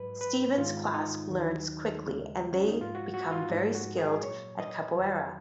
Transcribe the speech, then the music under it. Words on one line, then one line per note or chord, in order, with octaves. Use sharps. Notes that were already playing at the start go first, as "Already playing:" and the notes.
Stevens' class learns quickly, and they become very skilled at Capoeira.
Already playing: G#2 F#3 B4
B4
G#2 D#3 G#3 F4
D#4
D#2 D#3 F#3
D#2 C#3 G#3
C#4
D#4
G#2 F3 G#3 F4
F#4
F#4
F4
G#2 F3 G#3 D#4
F#4
G#4
A#2 F#3 C#5
D#5
F2 D#3 F#3